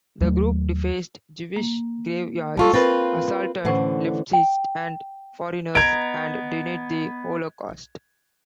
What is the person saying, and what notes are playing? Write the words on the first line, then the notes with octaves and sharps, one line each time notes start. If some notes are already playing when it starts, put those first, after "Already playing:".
The group defaced Jewish graveyards, assaulted leftists and foreigners, and denied the Holocaust.
D#2 F#3 A3
A#3
G3 F4 A4 A5 C#6
C4 F4 A#4 B4 A6
A2 D3 E3 C#4 C5 F#5
G5
B3 D#5 A#5 G#6 D7